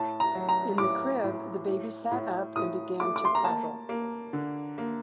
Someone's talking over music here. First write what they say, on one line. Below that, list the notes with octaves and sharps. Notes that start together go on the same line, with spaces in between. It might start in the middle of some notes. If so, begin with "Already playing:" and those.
In the crib the baby sat up and began to prattle.
Already playing: A2 A5
A#5
F#3
A#5
A2 D6
A2
A2
A2
A2 D#6
A3 D6
D6
C6
A#5
A#3 A5
A#3
D3
A#3